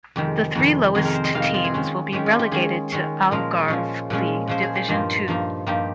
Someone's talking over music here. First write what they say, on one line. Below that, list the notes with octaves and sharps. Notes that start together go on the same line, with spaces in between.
The three lowest teams will be relegated to Algarve League Division Two.
F2 C3 D#3 G#3 G4
F2 C3 D#3 G#3
F2 C3 D#3 G#3 G#4
A#4
C5
D#5
F2 C3 D#3 G#3 F5
D#5
F4
G#4
D#3 G#3 C#4
D#3 G#3 C#4 G4
F4
G4
D#3 G#3 C#4 G#4
D#3 G#3 C#4
A#2 F3 G#3 C#4 A#4
A#2 F3 G#3 C#4
A#2 F3 G#3 C#4
A#2 F3 G#3 C#4 C5
G#4
G4
G2 F3 A#3 D#4 F4
G2 F3 A#3 D#4
G2 F3 A#3 D#4 G4